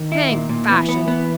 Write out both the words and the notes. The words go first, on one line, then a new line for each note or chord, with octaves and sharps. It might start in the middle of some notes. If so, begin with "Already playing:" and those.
'Hang fashion!
Already playing: D#3
E4
A#2
A#2
E3 B3
B3
B3